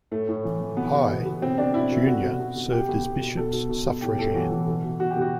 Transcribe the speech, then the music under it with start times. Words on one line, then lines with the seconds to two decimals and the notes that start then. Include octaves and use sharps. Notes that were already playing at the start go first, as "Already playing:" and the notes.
High, Junior served as bishops suffragan.
0.11 A2 A3
0.29 A2
0.45 E3
0.61 E3
0.77 B2 B3
0.93 B2
1.10 B2
1.26 B2
1.41 B2 C4
1.58 B2 D4
1.74 B2 E4
1.91 B2
2.07 B2 F#4
2.23 B2
2.40 B2
2.56 B2
2.72 B2 G4
2.89 B2
3.05 B2
3.21 B2
3.37 B2 A4
3.53 B2
3.69 B2
3.86 B2
4.02 A2 G4
4.19 A2 A4
4.34 E3 F#4
4.51 E3
4.68 B2
4.84 B2
5.00 B2 F#4
5.11 G4
5.16 B2 F#4